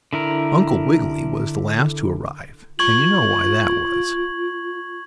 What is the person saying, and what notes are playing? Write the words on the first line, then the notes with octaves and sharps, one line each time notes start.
Uncle Wiggily was the last to arrive, and you know why that was.
D3 E4 A#4
F4 C#6 G#6 F#7